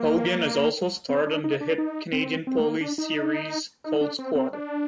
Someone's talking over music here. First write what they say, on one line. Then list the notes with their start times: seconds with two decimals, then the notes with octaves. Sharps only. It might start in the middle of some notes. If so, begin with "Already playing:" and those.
Hogan has also starred on the hit Canadian police series "Cold Squad".
Already playing: A#3
1.09 C4
1.27 D4
1.44 D#4
1.61 D4
1.78 D#4
2.12 C4
2.47 C4
2.59 A3
2.64 A#3
2.81 D4
2.98 D#4
3.84 D#4
4.01 D4
4.19 C4
4.35 C4
4.53 D4